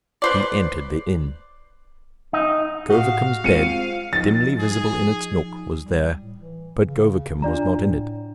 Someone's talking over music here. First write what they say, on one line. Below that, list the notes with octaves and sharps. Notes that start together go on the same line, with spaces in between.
He entered the inn. Govicum's bed, dimly visible in its nook, was there; but Govicum was not in it.
B4 C5 D5
D#4
A2 F#4 F5
G#3 C4 F4 C#7 D#7
F3 D#4 A6
G#4
G3
A2
E3
C#3
D4 F4 D5 A#5
A2